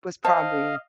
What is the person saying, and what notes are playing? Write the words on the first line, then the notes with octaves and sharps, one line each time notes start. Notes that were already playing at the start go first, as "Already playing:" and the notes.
was probably
C5 D#5 F5 A5